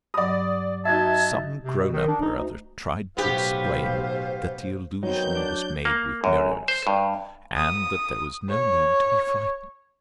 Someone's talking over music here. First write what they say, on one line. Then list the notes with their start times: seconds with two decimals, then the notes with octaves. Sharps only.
Some grown-up or other tried to explain that the illusion was made with mirrors, and that there was no need to be frightened.
0.14 G2 F#3 D5 D#6
0.85 D#4 F#4 E5 A5 G#6
1.64 C3
1.79 B2
1.93 D#3
2.08 D4
2.21 D#4
2.36 D2
3.17 B1 A2 B3 G4 C5 F5
5.03 D#3 E3 F#3 B3 C4 D#4 G6
5.35 D4 D5
5.85 A#3
6.24 F#2
6.68 C5
6.87 G2
7.57 D#6
8.49 C#5